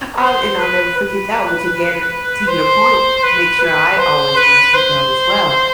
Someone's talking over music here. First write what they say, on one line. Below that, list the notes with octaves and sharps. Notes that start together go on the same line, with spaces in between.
I'll and I'll never forget that, which again, to your point, make sure I always wear a seat belt, as well.
C5
B4
B4
C5
B4
B4
C5
B4
C5